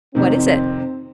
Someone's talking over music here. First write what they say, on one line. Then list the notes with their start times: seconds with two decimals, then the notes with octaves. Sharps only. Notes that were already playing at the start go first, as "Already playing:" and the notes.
"What is it?"
0.15 F2 C3 D#3 C4